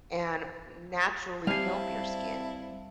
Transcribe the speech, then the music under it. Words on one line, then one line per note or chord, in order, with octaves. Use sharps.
and naturally help your skin.
G3 C4 E4 F5 G#5 A5 C7